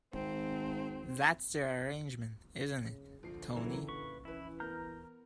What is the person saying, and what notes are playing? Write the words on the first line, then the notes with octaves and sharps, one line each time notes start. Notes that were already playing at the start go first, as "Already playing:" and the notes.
That's the arrangement, isn't it, Tony?
G#1 C4
C#3
A#1 D3 F3 C7
A#2 E3 F#3 A#3 C#4 E4
B4 C#6
E3 C#4 E4 B4
B3 A#4 A#5 F6 G6